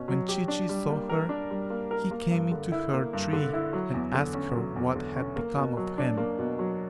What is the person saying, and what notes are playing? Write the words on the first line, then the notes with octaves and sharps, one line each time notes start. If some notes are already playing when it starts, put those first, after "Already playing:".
When Chee-Chee saw her, he came into her tree and asked her what had become of him.
Already playing: B2 C#4
F#3
G4
D4
G3
A#3
A#4
D4
G3
A#3
A#4
A#3
G2
D3
E4
A#3
G2
D3
E4
F#3
E2
D3
C#4
F#3
E2
D3
C#4
A#3
B2
F#3
D4
A#3
B2
F#3